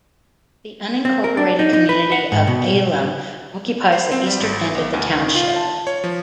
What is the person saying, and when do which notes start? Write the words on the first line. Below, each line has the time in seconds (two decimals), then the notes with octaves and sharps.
The unincorporated community of Elim occupies the eastern end of the township.
1.05 C4
1.24 A#4
1.37 D4
1.59 D#4
1.73 D#4
1.89 B4
2.12 F#5
2.32 G#2
2.47 B2
3.92 C5
4.12 C4
4.27 G3
4.40 G#1
4.75 B1
4.93 D2
5.18 D#3
5.35 F4
5.56 A5
5.87 C#5
6.04 F3